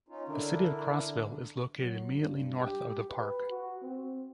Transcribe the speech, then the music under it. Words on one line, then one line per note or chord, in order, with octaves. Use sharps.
The city of Crossville is located immediately north of the park.
C#4 D#4 F4
D3 D4 E4 A#4
F#3
G2
G4
B4
F#4
C4